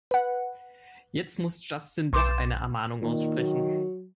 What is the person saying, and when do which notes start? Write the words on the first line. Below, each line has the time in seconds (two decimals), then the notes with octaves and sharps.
Jetzt muss Justin doch eine Ermahnung aussprechen.
0.11 B4 F#5
2.13 B1 C6 D6 G6 A6 E7
3.02 A#2 D#3
3.38 F#3